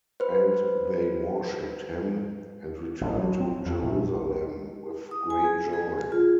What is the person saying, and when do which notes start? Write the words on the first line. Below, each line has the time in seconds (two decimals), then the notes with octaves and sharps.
And they worshiped him, and returned to Jerusalem with great joy.
0.20 B4 C5
3.01 A1
3.19 F#3
3.40 C4
3.66 F2
3.82 A#1
5.11 D#6
5.30 G#5
5.44 G#4
5.73 G#4
6.12 F4